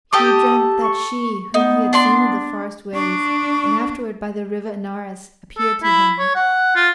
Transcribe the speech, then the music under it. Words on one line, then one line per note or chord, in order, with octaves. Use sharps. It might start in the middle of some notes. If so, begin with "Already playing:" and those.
He dreamt that she whom he had seen in the forest ways and afterward by the River Anaurus appeared to him.
G4 A4 D6 D#6
C#6
B3 D#4
D4 D5 C6
D4 C#6
A4
E4
C#5
F#5
F4